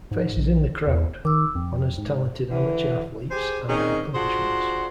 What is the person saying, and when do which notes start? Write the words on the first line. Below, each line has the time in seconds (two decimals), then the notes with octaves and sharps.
Faces in the Crowd: honors talented amateur athletes and their accomplishments.
0.11 G#2
0.37 A#1
0.87 E2
1.25 D#3 D6 E6
1.55 F2 G5
1.98 G#2
2.49 D3 E3
3.31 G4 G#4 C5 G#5
3.69 D#3 C4 C#4 D#4 G#4
4.14 D4 F4 F#4 G#4 C5